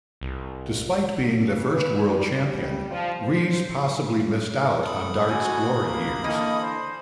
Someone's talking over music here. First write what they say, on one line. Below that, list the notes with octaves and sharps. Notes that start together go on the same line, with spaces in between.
Despite being the first world champion, Rees possibly missed out on darts' glory years.
C2
C#3
B4
G3
G3
F3
C5
A4 B5 D#6
D3 F#4 G#5
A#3
D3 E3 A#3 D#5
C5